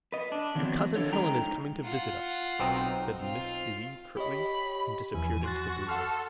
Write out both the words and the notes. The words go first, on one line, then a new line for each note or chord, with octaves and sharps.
"Your Cousin Helen is coming to visit us," said Miss Izzie, curtly, and disappeared into the Blue-room.
B4 D#5
D4
D#3 E3 F#3 B3 C4
D4 A4 C#5
C#3 F3 G#3 D#4 G5 A#5
F4 F#5
B1 C4 D#4
F4
G4 C#5 D#5 B5
E2 E3 F3 G#5
F#4 C6 F#6 A6
A4 F#5 C6 F6